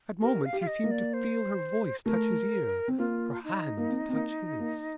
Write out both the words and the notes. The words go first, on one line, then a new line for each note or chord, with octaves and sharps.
At moments he seemed to feel her voice touch his ear, her hand touch his.
G4 A#4
F5
G4
F5
D#5
A#3
D5
C5
A3 A#4
C4
A#3 F4
D#4
A#3
C4
C4
A#3
A#3